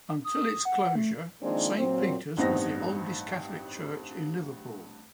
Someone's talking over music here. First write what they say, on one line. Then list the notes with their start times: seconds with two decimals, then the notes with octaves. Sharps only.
Until its closure, Saint Peter's was the oldest Catholic Church in Liverpool.
0.24 D#6
0.65 F#5
0.95 A3
1.42 D#3 F3 G#3 A#3 C4 D4
1.78 A#2 F#3 C4
2.37 A1 G2 B3 C4 D#4 A#6